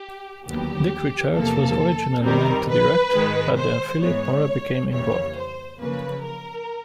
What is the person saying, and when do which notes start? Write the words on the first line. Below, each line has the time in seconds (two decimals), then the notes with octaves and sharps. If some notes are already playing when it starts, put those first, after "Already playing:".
Dick Richards was originally meant to direct but then Philippe Mora became involved.
Already playing: G4
0.47 D#2 D3 F#3 B3 G4
1.35 E2 C3 F3 A#3 A4
2.23 F#2 D#3 G3 C4 A#4
2.68 B4
3.13 G#2 D#3 G#3
3.57 C5
4.01 G#2 E3 G#3 B3 C#5
4.90 F2 C#3 E3 G3 A#3 C#5
5.35 C5
5.79 F#2 C#3 F3 A#3 B4
6.23 A#4